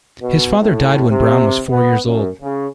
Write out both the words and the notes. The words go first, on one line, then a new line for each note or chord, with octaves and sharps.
His father died when Brown was four years old.
B2
A2
C3
B3
F#2
C#3